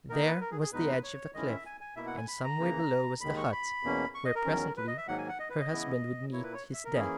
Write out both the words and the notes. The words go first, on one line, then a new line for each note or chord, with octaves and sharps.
There was the edge of the cliff, and some way below was the hut, where presently, her husband would meet his death.
D#3 A#3 D#4 A#4
B4
A#4
G#4
G#4
E2 B2 G#3 D#4 B4
C#5
D#3 G#3 C#4 E4 D#5
E5
G#5
G#5
B2 A#3 E4 E5
F#5
G#5
B5
A#5
C#3 E3 A#3
D#2 D#3 G#3 B5
C#6
B5
E2 B2 A#3 C#4
C#6
D#5
A#4
E2 D#3 F#3 C#4
B4
D#5
E5
G#2 D#3 F#3 A#3 F#5
G#5
F#5
D#5
B4
D#5
C#3 E3 B3 E4
A#2 A#3 E4 C#5
B4
C#5
E5
A#4
E3 A#3 C#4 E4 G#4